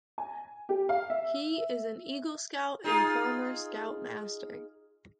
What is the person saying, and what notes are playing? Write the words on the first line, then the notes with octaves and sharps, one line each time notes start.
He is an Eagle Scout and former Scoutmaster.
G#5
G4
F5
E5
D#4 F4 G#4